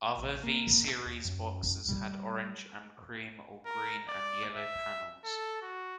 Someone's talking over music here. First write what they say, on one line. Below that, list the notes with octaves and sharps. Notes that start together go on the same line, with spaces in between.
Other V-series boxes had orange and cream or green and yellow panels.
A#1
A#3
D#2
F#2
G3
A#4
D5
E5
A4
F#4